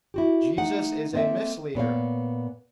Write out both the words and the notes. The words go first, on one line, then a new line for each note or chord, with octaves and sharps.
Jesus is a misleader.
E4 F#4 G4
A3 D#4 F#5
A#3 C4 A4 D#5 E5
A#2 B3 C#5 F5